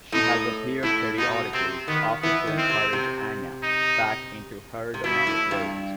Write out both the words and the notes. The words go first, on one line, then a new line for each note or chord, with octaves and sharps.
She has appeared periodically, often to encourage Anya back into her demonic ways.
A2 D#4
A2 E4
B2 D#4
C3 C4
D#3 B3
E3 B3
D#3
C4
C3
C3
D#4
C3
B2 E4
A2
G2